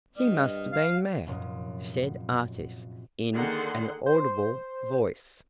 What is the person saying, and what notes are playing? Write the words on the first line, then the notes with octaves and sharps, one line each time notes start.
"He must have been mad," said Artis, in an audible voice.
G2 D#5 F6
F5
F1 F#2 A#2 C6 D#6
D3 D#3 A#3 G#4 F#5 C6
C5